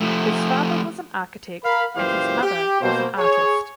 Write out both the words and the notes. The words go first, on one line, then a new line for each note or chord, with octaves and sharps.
His father was an architect and his mother was an artist.
F3 A3
A#4 F5 B5
F#2 A#2 E3 G4 C5 F5
G4
B2 A#3 C5
G#4 C#5